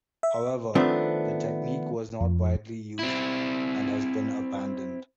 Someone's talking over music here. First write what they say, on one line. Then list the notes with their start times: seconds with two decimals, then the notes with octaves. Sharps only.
However, the technique was not widely used and has been abandoned.
0.23 E5
0.75 D#3 F3 A3 B3 C4 D4
2.21 F2
2.99 C4 E4